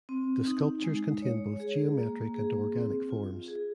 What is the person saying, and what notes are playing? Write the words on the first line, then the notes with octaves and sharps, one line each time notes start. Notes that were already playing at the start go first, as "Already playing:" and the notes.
The sculptures contain both geometric and organic forms.
C4
D#4
G#3
C#5
G#4
A#3
G#4
C4
F4
G#4